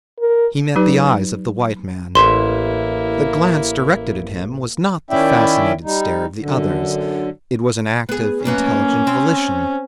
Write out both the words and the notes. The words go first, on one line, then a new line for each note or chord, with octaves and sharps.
He met the eyes of the white man. The glance directed at him was not the fascinated stare of the others. It was an act of intelligent volition.
A#4
F#3 D#4 G4 B4
A1 A#3 E4 E5 C6
D#3 C#4 E4 D5 E5 G5
G3 D#4
F#2 D3
B3 G#4
F#2 A#3 B3 C#4
C4